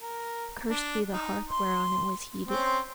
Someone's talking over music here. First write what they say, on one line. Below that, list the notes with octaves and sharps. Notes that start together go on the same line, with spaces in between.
Cursed be the hearth whereon it was heated!
A#4
D4
D#4
C6
C4 C#4 C5